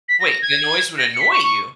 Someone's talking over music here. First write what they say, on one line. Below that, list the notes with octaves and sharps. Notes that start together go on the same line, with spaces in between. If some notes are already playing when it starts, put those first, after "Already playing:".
Wait, the noise would annoy you?
B6
A#6
A#6
G#6
A#6
C#7
B6
C#6
C#6